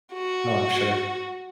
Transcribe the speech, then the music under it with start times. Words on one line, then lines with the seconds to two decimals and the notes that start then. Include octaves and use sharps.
Oh, I'm sure.
0.14 F#4